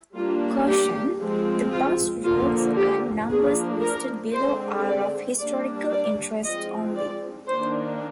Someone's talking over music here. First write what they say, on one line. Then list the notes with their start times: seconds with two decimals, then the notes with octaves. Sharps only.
Caution: The bus routes and numbers listed below are of historical interest only.
0.14 G3 A#3 D4 F4
0.67 G4
1.19 F3 G#3 C4
1.72 F4
2.24 D3 F3 A#3 F4
2.76 G4
3.29 F3 A#3 D4 G#4
3.81 A#4
4.33 D3 G#3 C4 C5
4.86 D5
5.38 G3 A#3 D4 D5
5.90 D5
6.43 F3 G#3 C4 D#5
6.95 D5
7.48 D#3 A#3 D4 C5